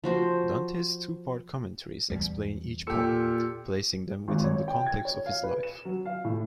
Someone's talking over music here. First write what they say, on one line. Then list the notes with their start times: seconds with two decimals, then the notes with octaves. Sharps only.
Dante's two-part commentaries explain each poem, placing them within the context of his life.
0.04 F3 F#4 C5
2.10 E2 G3
2.87 A#2 F4 G4 A4 E6 C#7
4.28 G#1
4.44 C#5
4.68 G5
4.86 G#6
5.05 C#5
5.26 F5
5.43 B4
5.63 E7
5.85 F#3
6.05 F5
6.25 A2